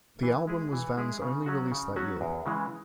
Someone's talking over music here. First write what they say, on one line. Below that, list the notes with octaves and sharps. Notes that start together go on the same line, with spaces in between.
The album was Van's only release that year.
E3
G#3 E4 G#4
E3
G#3 E4 G#4
C#3
F#3 C#4 F#4
C#3
F#3 C#4 F#4
E2
C#3 E3 G#3